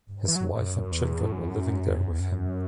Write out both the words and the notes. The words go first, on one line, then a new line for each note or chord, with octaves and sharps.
His wife and children were living there with him.
E3
F#3
A2
F#2
E2
A2
F#2
E2
F#2
E2
F#2
E2
F#2